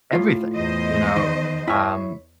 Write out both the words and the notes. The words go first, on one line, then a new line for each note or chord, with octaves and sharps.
everything, you know? Um,
A2 F4
E2 C5 D#5
D#3
E4 C#5